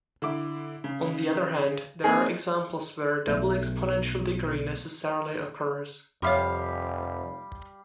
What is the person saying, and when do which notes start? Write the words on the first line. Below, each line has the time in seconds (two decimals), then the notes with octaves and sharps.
On the other hand, there are examples where a double exponential degree necessarily occurs.
0.22 D3 E4 D6
0.84 C#3
2.04 A#3 C4 D#4 G#4
3.28 B1 A3
6.22 F1 F2 G3 G4 C#5 E5 F5 C6